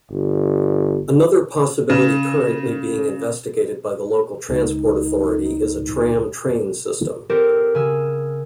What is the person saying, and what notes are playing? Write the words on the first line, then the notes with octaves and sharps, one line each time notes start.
Another possibility currently being investigated by the local transport authority is a tram-train system.
G1
C#3
C#2 D#4
C4 G4 A4 A#4 C5
C#3 G#4 E6